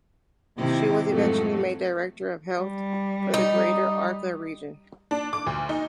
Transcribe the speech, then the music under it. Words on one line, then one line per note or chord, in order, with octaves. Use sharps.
She was eventually made Director of Health for the Greater Accra region.
C3 D#3 E4 G4
F2 G#2 F#3 A3
G3
D#4
D4
D6
D2
D#4